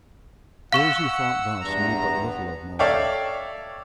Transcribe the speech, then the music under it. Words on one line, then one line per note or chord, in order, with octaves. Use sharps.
Those who thought thus knew but little of Marlborough.
F5 F#5 C#6 E6 E7
E2 G2 A#5
B3
A4 C#5 D5 E5 F5 G5